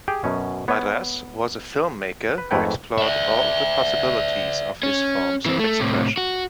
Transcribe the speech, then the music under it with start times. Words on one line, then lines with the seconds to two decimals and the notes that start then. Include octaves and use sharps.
Madrás was a filmmaker who explored all the possibilities of his forms of expression.
0.08 G4 G#4 G5
0.24 F#2 B2 C#4
0.68 B3 C#5
2.38 B4
2.51 F2 G#2 A3 B4 C#5 G5
2.98 D5 E5
4.83 C#4
5.46 E3 C4
5.59 A3
5.80 A2 C3
6.17 F#4